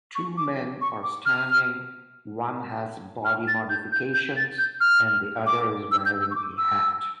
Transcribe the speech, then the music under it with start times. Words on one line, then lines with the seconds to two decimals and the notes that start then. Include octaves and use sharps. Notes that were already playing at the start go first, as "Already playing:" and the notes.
Two men are standing one has body modifications and the other is wearing a hat.
0.15 C#6
0.37 D6
0.81 C#6
1.03 D6
1.26 F6
3.25 F6
3.48 A6
3.70 G6
3.92 G6
4.14 G6
4.37 A6
4.58 G6
4.81 F6
5.46 D6
5.92 E6
6.06 G6
6.21 E6
6.31 C#6
6.35 D6
6.58 E6